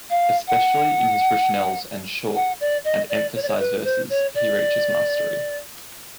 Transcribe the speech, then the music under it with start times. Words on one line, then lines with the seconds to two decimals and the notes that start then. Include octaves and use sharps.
Especially in his ritornelles and short and emphasized verses he reaches mastery.
0.10 F5
0.48 F#5
2.35 F#5
2.60 D5
2.84 D#5
3.09 D5
3.35 C#5
3.42 D5
3.48 C#5
3.59 B4
3.81 B4
3.84 C5
4.09 C#5
4.34 D5